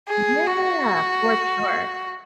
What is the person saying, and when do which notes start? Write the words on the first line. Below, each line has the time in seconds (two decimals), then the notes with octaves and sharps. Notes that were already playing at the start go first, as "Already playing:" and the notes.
Yeah! For sure.
0.08 G#4
0.47 F#4